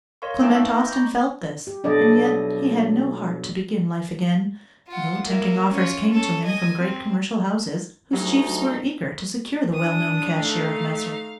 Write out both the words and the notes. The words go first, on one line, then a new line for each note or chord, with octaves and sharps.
Clement Austin felt this, and yet he had no heart to begin life again, though tempting offers came to him from great commercial houses, whose chiefs were eager to secure the well-known cashier of Messrs.
A#4 C#5 D#5 F5 C6 C#6
D#4 E5 F5 G5 A5 D6
B3 B4 E5 G5 C#6 E6
D#5
A#5 B5 C#6 D6 G6
G4
B1 D4 D5 D#5
F4 F#5
A#3 E4
C#4 F4
C#4 A4
D#5 G#5
C4
D2 F#3 G3 D#4
D4 D#6
A3 D#4 F5